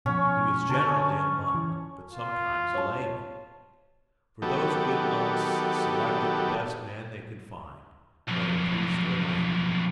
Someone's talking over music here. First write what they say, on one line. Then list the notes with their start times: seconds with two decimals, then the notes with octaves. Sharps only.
He was generally a monk, but sometimes a layman; for those good monks selected the best man they could find, whether priest or layman.
0.06 B2 F3 C#4 C#6
0.70 D3 C#4 A5
1.55 E3
2.10 F4
2.74 C#5 A5
4.42 D#3 F#3 B3 G4 A4
8.28 B1 F2